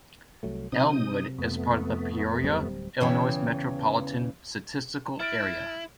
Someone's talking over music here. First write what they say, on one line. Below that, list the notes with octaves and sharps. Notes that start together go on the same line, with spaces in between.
Elmwood is part of the Peoria, Illinois Metropolitan Statistical Area.
C2 F#3 A3
C3 F#3 C4 D#4 D#6
F2 A3 B3
D1 G3 C4
E2 C#3 E3 G5
E4 F6 A6 D7